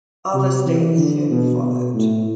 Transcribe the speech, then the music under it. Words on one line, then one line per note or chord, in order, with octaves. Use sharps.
Other states soon followed.
C3
E3
D3
B2
B2
A2